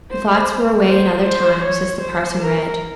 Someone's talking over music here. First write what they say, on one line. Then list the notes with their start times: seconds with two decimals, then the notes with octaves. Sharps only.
Her thoughts were away in other times as the parson read.
0.11 C5
0.87 C5
1.25 C5
1.64 C#5
2.01 C5
2.39 A#4